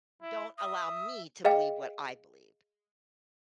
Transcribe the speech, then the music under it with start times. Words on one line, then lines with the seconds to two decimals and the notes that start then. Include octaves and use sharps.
don't allow me to believe what I believe,
0.22 E4
0.58 E5 D#6
1.45 G#4 D#5 F5 G5